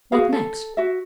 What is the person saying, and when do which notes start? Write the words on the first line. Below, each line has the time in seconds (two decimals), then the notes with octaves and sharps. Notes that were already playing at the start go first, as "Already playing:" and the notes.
What next?
0.12 F#4 G#4 F5
0.32 A4
0.77 F#4 E5